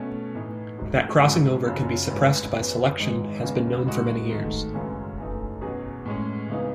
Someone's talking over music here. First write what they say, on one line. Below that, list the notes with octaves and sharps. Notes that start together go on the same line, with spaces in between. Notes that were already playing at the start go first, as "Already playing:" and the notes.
That crossing-over can be suppressed by selection has been known for many years.
Already playing: B2 A3 C#4
A2 E3 B3 D#4
G#2 F#3 A3
G#2 F#3 C#4 E4
F#1 F#2 C#3
A1 G#2 E3
F#2 E3 B3
G#1 G#2 E3 G#3 D#4
F#1 E2 C#3 G#3 C#4
A2 G#3 D#4 F#4
G#2 D#3 A3
F#2 C#3 E3 G#3 C#4
F#2 E3 A3 D#4
E2 B2 F#3 C#4 G#4
A2 G#3 C#4
C#2 C#3 E3 B3 D#4